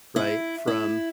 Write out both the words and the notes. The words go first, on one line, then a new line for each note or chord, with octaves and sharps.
right, from
E4
E4